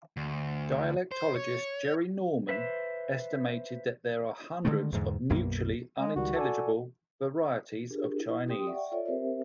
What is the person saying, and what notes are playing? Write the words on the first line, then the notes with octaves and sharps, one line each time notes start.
Dialectologist Jerry Norman estimated that there are hundreds of mutually unintelligible varieties of Chinese.
D2
C5
C#5
B4 C5 E5
D3 D#3 G#3 A3
E2 G#2 D3
B1 F#2 B2 A#3
G#3
C#2 D#3 G3 F#4
A4 D5 G#5
D4 F4 G4 G#4 A#4
E4
G4 G5 C6 D#6
D5 E5 F#5 G5 C#6
F4 A4 C#5 D5 E5
C4 G4 A#4 C5 E5